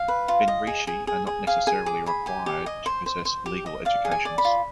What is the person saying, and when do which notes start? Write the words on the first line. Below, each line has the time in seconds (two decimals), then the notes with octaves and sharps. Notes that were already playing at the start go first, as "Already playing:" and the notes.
Benrishi are not necessarily required to possess legal educations.
Already playing: F5
0.08 B4
0.28 F4
0.48 D#5
0.67 G#4
0.87 G#4
1.07 G#4
1.27 G#4
1.47 G#4 F5
1.67 G#4 G#5
1.86 G#4 D6
2.06 G#4 B5
2.26 G4 G#5
2.46 G4
2.66 D#5
2.86 C5
3.06 C5
3.25 C5
3.46 G4
3.66 D#5
3.85 D5 F5
4.05 G#4
4.11 G#5
4.25 D5
4.38 B5
4.45 F4